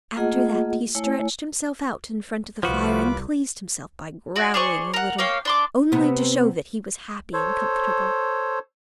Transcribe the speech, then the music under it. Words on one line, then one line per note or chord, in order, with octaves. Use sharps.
After that he stretched himself out in front of the fire, and pleased himself by growling a little, only to show that he was happy and comfortable.
A3 A#3 F4 G#4 D#5 F#5
A3 E4 C#5 G#5
C2 F3 F4 F#4 B4 D6
F#4 D5
D4 G#4 C5 C#6
A#4 F#5
A#3 C#5 F5 G5
D4 C6 D6
C3 B3
A4 C5 C#5